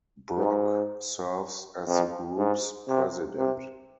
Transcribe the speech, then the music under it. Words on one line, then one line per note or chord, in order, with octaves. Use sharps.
Brock serves as the group's president.
G#2
F2
G#2
C3
C3